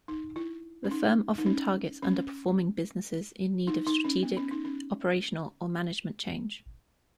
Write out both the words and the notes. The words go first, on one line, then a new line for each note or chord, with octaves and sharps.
The firm often targets under-performing businesses in need of strategic, operational, or management change.
D#4
E4
C#4
D#4
D#4
C#4
C#4
D#4
D#4
C#4
B3
C#4
D#4
C#4